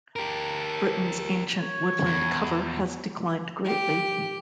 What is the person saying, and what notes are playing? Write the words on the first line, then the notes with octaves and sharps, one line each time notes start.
Britain's ancient woodland cover has declined greatly.
G4 A#4 A5
C#5
E2
G4